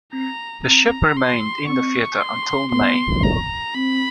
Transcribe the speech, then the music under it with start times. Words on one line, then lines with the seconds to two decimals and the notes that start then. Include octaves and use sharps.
The ship remained in theatre until May.
0.13 C4 A#5
0.65 C4 A#5
1.17 C6
1.68 C4 C#6
2.21 C6
2.72 B3 C6
3.23 A#5
3.75 C4 B5